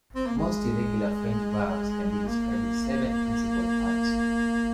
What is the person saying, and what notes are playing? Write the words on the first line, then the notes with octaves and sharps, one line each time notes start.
Most irregular French verbs can be described with seven principal parts.
C4
A#3
G#3
A#3